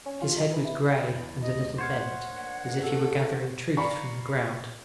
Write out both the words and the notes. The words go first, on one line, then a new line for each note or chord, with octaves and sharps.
His head was grey, and a little bent, as if he were gathering truth from the ground.
C#4
F4
D#4
E3
E4
E2
G#1 D2 D#5
C5 C#5 F5 F#5
A#3 D4
A4
D5 F5 A#5 B5 C#6